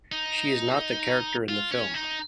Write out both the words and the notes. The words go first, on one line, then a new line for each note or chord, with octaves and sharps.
She is not the character in the film.
D#4
F4
C#4
D#4